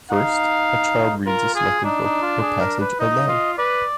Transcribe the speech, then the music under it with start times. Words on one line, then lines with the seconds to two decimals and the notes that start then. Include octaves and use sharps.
First, a child reads a selected book or passage aloud.
0.10 D#4 F5
1.26 F4 A#4
1.55 G#4
1.84 D4 D#4
2.04 D#4
2.22 F4
2.41 G#4
2.60 A#4
2.81 B4
2.99 D#4 D#5
3.28 F4
3.58 B4 D5